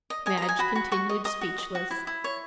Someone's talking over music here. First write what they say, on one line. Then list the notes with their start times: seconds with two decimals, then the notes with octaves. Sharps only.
Madge continued speechless.
0.10 D#5
0.26 D#5 G#5
0.37 D#5 A#5
0.49 G#5
0.59 F#4 B5
0.75 F#4
0.92 F#4 C#6
1.09 D#5
1.25 D#5 D#6
1.41 F#4
1.58 D#5
1.75 F#4
1.91 E4
2.07 E4
2.24 C#5